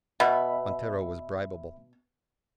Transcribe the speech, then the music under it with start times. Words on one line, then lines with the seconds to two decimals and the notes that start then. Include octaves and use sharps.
Montero was bribeable.
0.20 B2 E5 B5